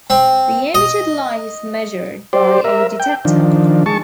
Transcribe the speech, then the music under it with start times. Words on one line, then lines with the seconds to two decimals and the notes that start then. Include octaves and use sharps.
The emitted light is measured by a detector.
0.10 C4
0.75 D#5
2.33 G4 C5 D5
2.64 A#4 E5
3.00 G5
3.25 D#3 F3 D4
3.86 G#3 A5 C#6